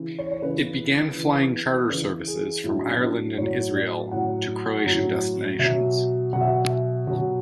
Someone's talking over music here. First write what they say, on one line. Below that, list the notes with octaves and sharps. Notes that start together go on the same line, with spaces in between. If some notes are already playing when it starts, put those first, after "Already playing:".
It began flying charter services from Ireland and Israel to Croatian destinations.
Already playing: C#3 E3
C#5
C#5
C#3 E3 B4
C#3 E3
C#3 E3 B4
G#4
A2 F#3 E4
D4
C#4
D4
A2 F#3 C#5
D5
A2 F#3 F#5
A2 F#3
B2 F#3 E5
B2 F#3 F#5
E5
F#5
E5
B2 F#3 F#4